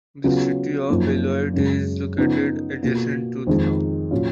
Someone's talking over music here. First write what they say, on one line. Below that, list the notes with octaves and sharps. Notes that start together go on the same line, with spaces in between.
The City of Beloit is located adjacent to the town.
C#3 F#3 B3 F4
F#2 F3 A#3 D#4
F#2 C#3 G#3
C#3 F3 B3 D#4
B2 A#3 F4
F2 D#3 G#3 D#4
A#2 F#3 C#4 F4